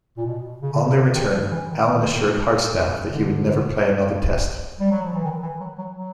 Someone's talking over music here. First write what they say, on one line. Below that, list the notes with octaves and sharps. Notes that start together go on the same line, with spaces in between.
On their return, Allen assured Hardstaff that he would never play another Test.
A#2
B2
C#3
D3
C#3
D3
D#3
F3
E3
D#3
D3
G3
F#3
F3
E3
D#3
E3
F#3
F#3
F#3